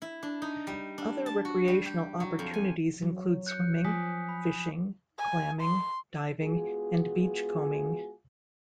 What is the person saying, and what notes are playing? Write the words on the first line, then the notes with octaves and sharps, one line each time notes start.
Other recreational opportunities include swimming, fishing, clamming, diving, and beachcombing.
E4
D4
D#4
G3
D4
A5
F#4
G3
G4
F#3
F2
G#5
F#3
F#6 G6 C#7
F3 G#5 D#6 B6
B5
G#5
C6
G#3 B3 F4 F#4 G#4